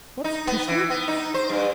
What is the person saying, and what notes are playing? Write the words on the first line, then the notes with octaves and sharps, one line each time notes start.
"What's tissue?"
D#4
B3
E3
B3
D#4
C5
G2